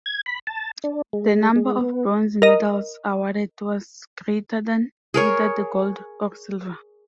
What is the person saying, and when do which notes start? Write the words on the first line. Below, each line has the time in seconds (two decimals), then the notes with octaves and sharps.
The number of bronze medals awarded was greater than either the gold or silver.
0.06 G#6
0.26 B5
0.47 A5
0.84 D4
1.13 G#3
1.56 G#3
1.81 B3
2.42 A#4 D#5
5.14 G#4 A#4 C#5